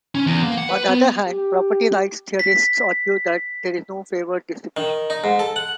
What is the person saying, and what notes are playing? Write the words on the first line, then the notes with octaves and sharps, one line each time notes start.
On the other hand, property rights theorists argue that there is no favored distribution.
C#4
E2
A#3
F#5
B4
B3
G4
B6
D#3
D#4
G#2
A4
F#5